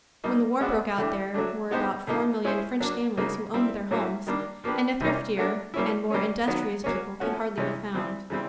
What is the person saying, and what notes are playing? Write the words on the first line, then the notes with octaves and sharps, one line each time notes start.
When the war broke out there were about four million French families who owned their homes and a thriftier and more industrious people could hardly be found.
G3 A#3 D#4
G#3 B3 D4 F#4
E3 A3 D4 G4
F#3 A3 D4
G#3 B3 D#4 G4 C5
A2 F3 A#3 D#4
G#3 C#4 E4 G#4 C5
F#3 A#3 D4
C#3 F#3 A#3 D#4
G3 C4 E4
A2 F#3 A#3 C#4 E4
D#3 G3 A#3 D4
F3 A#3 D4 G4 B4
C3 E3 G3 A#3 C#4
A3 D4 F#4 A#4
G3 A#3 C#4 E4
G3 A#3 C#4
D#3 F#3 B3
F#3 A#3 C#4
F3 A3 C#4 F#4
C3 E3 G#3 C#4
E3 G3 C4
C#3 E3 G3 C4